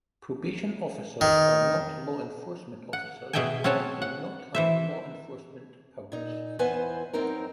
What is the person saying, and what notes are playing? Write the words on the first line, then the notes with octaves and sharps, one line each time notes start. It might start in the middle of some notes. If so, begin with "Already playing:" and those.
Probation officers are not law enforcement officers and do not have law enforcement powers.
D#3
F#5
B2 G#4 D#5 E5 G5 G#5
C4 C#4 F#4 C#5 G#5 A5
F#5
E3 C5 E5
A#2 D#4
E2 B3 E4 B4 C5 G#5
F#2 C4 D#4 A#4